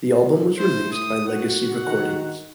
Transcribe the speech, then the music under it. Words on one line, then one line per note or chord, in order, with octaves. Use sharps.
The album was released by Legacy Recordings.
A2 C5
D#6
F#4 F#5
D#3